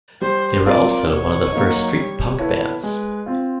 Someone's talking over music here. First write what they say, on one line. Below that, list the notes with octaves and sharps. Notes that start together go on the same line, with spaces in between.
They were also one of the first street punk bands.
G3 C5
C4 F4 A#4 D5
B2 C#5
F#3 A#3 D#4
G3
B3 E4 A4 C#5
G#3 B4
C4 F4